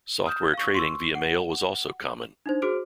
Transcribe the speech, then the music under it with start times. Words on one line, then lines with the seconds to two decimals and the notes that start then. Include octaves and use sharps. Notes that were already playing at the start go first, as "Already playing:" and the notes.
Software trading via mail was also common.
0.26 D#6 F6 G6 E7
0.54 F5 C#6
0.74 C6 C#6 E6
1.15 F#5
2.46 D4 D#4 C5
2.62 F#4 G#4 C5 D6 F6 D7